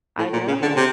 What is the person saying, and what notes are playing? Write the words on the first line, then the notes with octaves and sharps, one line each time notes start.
I know.
A2
A#2
C#3
D3
C3